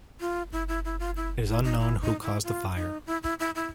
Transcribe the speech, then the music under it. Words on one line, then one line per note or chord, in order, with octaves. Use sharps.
It is unknown who caused the fire.
F4
E4
E4
E4
F4
E4
E4
D#4
E4
D#4
E4
F4
D#4
E4
E4
E4
E4